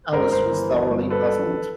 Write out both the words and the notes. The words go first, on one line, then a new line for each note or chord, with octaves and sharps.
Alice was thoroughly puzzled.
G#2 A#4 C5
G1 A#4 C5
E3
G1
G2
A4 B4